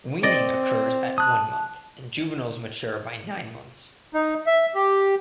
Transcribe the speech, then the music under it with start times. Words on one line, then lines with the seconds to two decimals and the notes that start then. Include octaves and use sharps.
Weaning occurs at one month, and juveniles mature by nine months.
0.23 C4 D5 D#5
1.18 A5 D#6 F#6
4.14 D#4
4.46 E5
4.75 G4